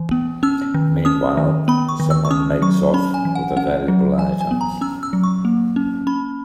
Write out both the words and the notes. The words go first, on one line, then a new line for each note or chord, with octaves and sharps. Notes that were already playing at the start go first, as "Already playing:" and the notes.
Meanwhile, someone makes off with a valuable item.
Already playing: E3
B3
C#4 E6
D#3
C#4 D#6
D#3
B3 B5
C#6
D#3
E6
C#6
C#4 D#6
F#3 C#6
C#4 B5
G#5
E3
F#5
C#4 F#5
F#3
E3 G#5
G#5
B3
A#5
C#4 E6
E6
F#3
C#6
A#3
C#4
C#4 B5